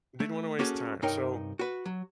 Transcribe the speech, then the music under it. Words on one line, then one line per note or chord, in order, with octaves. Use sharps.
Didn't want to waste time. So
A3
A#3 C#4 F#4 G#4 A4
C2 G2 D#4 A#4 C#5 G5
F#4 B4
F#3